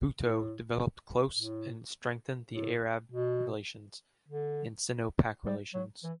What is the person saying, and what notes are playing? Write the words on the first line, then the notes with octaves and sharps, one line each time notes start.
Bhutto developed close and strengthened the Arab relations, and Sino-Pak relations.
A2
A2
A2
B2
D3
G3
F#3
E3